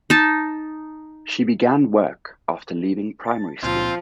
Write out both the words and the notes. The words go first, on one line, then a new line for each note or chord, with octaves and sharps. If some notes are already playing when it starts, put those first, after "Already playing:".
She began work after leaving primary school.
D#4 A5
A5 A6
C#2 A#2 F3 C4 F4 C6